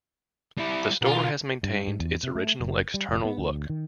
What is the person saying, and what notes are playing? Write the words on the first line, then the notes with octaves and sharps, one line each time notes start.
The store has maintained its original external look.
G3 E4
B1 A#3 F4
G2
G#2
E2
C3
A3
F#1
G3
F1
B3
D2
D#3